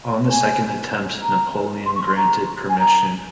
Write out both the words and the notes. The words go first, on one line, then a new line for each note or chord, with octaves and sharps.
On the second attempt, Napoleon granted permission.
G#5
A#5
C6
C#6
C6
A#5
G#5
A#5